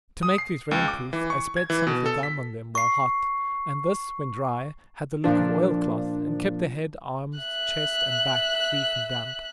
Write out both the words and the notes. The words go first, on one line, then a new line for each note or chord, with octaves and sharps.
To make these rain proof, I spread some of the gum on them while hot, and this, when dry, had the look of oil cloth, and kept the head, arms, chest, and back free from damp.
D#6
C7
C#2
D6
E3
C#6
G#6
E3
B2
A4
B6
C#6 C7
A#2 F3 D4
E5 F#6